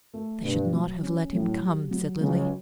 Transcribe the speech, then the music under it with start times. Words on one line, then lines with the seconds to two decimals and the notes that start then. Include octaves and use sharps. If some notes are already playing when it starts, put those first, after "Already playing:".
"They should not have let him come," said Lily.
0.14 A3
0.42 G2 B2
0.73 F#3
1.03 C#4
1.32 A2 F#3
1.62 G4
1.91 F#3
2.21 C#2 C#3 F#3